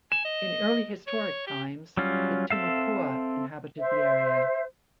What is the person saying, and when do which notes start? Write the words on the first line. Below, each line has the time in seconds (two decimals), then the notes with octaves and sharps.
In early historic times, the Timucua inhabited the area.
0.12 G#5 E7
0.25 D#5
1.07 C#5
1.47 G4
1.97 F#3 G3 C#4 F4
2.50 C4 A4 E5 F5
3.79 C5 E5